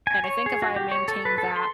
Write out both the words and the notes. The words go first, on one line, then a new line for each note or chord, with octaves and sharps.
And I think if I maintain that,
G#5
C#5
G#4
F#4
G4
C#5
A4
B4
A4
C6